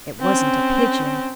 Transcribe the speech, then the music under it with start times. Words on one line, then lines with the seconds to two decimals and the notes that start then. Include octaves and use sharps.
It wasn't a pigeon.
0.21 C4 C#4